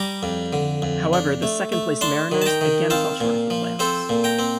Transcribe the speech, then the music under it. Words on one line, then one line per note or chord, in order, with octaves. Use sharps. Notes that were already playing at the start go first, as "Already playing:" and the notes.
However, the second-place Mariners again fell short of the playoffs.
Already playing: G3 A#5 D6
F2
D3
F2
D4
A3
A3
D4 A5 C6
D#3
A5
G5 A#5
D#3
C4 F5 A5
A#2
F3
C4 A4 C5
A#2
G5 A#5
C4